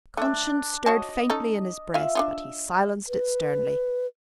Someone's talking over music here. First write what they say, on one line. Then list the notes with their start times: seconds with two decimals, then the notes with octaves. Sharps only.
Conscience stirred faintly in his breast, but he silenced it sternly.
0.17 A3 D4 E5
0.86 F#4 C#5 D#5 A5
1.30 C#4 D#4 A4
1.94 F4 E5 F5
2.15 D4 D#4 F4
3.08 B4